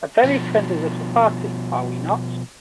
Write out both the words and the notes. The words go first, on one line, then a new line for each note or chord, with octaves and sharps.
A very friendly little party, are we not?
B2 F3